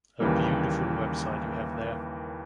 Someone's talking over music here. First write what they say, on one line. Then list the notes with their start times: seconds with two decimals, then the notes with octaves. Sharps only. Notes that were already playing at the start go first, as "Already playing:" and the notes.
A beautiful website you have there.
0.20 D#2 C#3 E3 G3 A#3